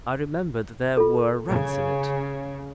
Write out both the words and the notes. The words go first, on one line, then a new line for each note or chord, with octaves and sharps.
I remembered there were rats in it.
F4 A4
C#3